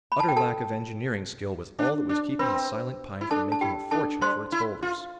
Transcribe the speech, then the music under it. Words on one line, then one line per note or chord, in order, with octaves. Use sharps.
Utter lack of engineering skill was all that was keeping the Silent Pine from making a fortune for its holders.
B5
A5
G5
A4 A5
D4
D4
C4 B4 B5
E4
D4 A4 A5
A5
E4 G4 G5
D4 A4 A5
G3 C5 C6
E4
F4